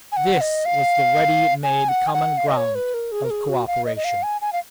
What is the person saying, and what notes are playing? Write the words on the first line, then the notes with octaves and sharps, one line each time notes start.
This was the ready-made, common ground of cooperation.
G#5
F#5
D#5
F5
G#5
F#5
G#5
F#5
F5
D#5
C#5
B4
A#4
G#4
A#4
G#4
F#4
F5
D#5
D#5
F5
G#5
G#5
F5